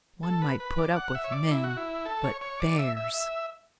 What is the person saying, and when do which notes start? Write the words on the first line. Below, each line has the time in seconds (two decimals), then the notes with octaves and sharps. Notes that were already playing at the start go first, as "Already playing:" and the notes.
"One might put up with men, but bears!"
0.23 A4
0.42 B4
0.60 B4
0.78 D5
0.96 F#5
1.15 E5
1.24 C#5
1.32 D5
1.51 E4
1.64 F#4
1.77 E4
2.05 A4
2.24 C#5
2.41 C#5
2.60 D5
2.79 E5
2.97 E5
3.14 E5